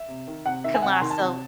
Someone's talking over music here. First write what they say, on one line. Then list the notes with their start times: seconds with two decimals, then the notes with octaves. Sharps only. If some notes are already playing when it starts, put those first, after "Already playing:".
can last so l
Already playing: E5
0.09 C3
0.28 D#3
0.46 C3 F#5
0.64 D#3 E5
0.74 G#5
0.82 C3 F#5
0.92 G#5
1.01 D#3 C6
1.10 A5
1.20 C3